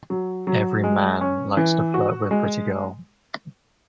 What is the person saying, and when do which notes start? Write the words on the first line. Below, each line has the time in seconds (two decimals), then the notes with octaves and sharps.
Every man likes to flirt with a pretty girl.
0.10 F#3
0.47 F#3
0.84 G#3
1.21 C#4
1.57 E3
1.94 F#4
2.31 G#3